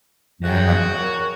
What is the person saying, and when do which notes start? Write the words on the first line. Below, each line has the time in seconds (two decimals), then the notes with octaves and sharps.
Yeah, no
0.44 F#4 G#4 G5
0.96 A#4 C#5